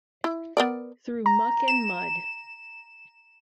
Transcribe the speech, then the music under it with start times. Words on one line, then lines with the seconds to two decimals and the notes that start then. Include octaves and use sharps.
Through muck and mud.
0.24 E4
0.57 B3 A#4 D5
1.26 A#5
1.68 E7